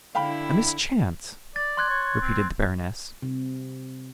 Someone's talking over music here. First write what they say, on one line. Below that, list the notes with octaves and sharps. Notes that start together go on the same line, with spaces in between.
"A mischance?" repeated the baroness.
D3 E4 F5 G5 B5
D5 A6
C6 F#6 G#6
C#5
C4
C3